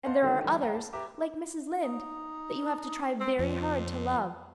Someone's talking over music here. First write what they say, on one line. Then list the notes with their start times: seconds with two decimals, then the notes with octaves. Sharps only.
And there are others, like Mrs. Lynde, that you have to try very hard to love.
0.05 C5 D#5 F5 F#5 A5 C6
0.22 D3 D#3 G#3 A#3 F#4 A4
0.44 D3 E3 G3
0.61 E5 F5 G5 A#5
0.75 A5
0.93 G4 B4 E5 A#5 D6
1.84 D#4
3.21 C4
3.39 F2 F3